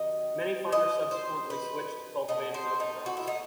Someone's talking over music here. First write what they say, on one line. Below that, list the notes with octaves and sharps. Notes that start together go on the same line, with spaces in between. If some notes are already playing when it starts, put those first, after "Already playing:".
Many farmers subsequently switched to cultivating other crops.
Already playing: C3 D#3 F#3 D#5
D#5
C5
B4
B2 A3 D#5
C5
D#4
F#4
E4
D#4